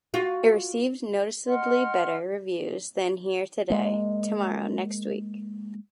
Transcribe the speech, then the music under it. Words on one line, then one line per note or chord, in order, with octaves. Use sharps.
It received noticeably better reviews than Here Today, Tomorrow Next Week!
F4 F#4
D#5 F#5 C6 F6
G#3 A#3